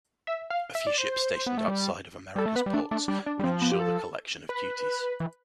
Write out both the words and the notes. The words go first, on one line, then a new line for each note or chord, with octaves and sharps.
A few ships stationed outside of Americas ports would ensure the collection of duties.
E5
F5
E5
D5
C5
B3
A3
G3
G3 A4
A3
B3 B4
G3
A3 D4
A3 D4
G3 D4
D4
G3
F3 C4
B3
G4
A4
B4
E3